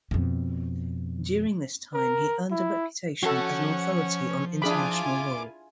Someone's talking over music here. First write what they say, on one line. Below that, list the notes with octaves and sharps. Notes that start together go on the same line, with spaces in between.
During this time, he earned a reputation as an authority on international law.
F2 B2
A#4
E4
F3 C#4 F#4 A4 F#5 A5
D4 E4 F4 G#4 G#5 B5 D6